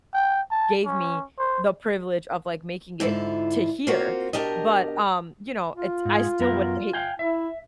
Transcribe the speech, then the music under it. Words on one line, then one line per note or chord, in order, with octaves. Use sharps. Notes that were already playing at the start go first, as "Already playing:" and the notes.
gave me the privilege of, like, making it to here, but, um, you know, it's I still would hate
G5
A5
C#4
C5
G#2 D3 E4 F4
A#3 C4 F4 F#4
B2 D4 G4 A#4 D#5
F4
G#2 G#4
F#2 B3 A#4
F5 G5 G#5
E4 E5